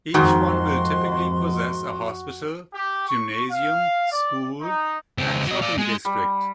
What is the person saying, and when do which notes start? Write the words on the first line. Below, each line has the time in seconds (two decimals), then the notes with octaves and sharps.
Each one will typically possess a hospital, gymnasium, school, and shopping district.
0.14 F2 G#2 D#3 F#4 C6
2.73 G4
3.07 C#6
3.51 F5
4.11 D5
4.62 D#4
5.18 C#2 C4
5.47 F#3 D#5
5.62 D5 F5
5.78 G#3
6.05 G3